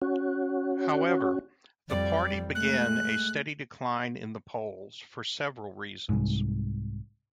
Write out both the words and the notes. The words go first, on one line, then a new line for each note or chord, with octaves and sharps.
However, the party began a steady decline in the polls for several reasons.
C#4 F#4
F2 G3 D5
G#3 A3 F#6
C2 G#2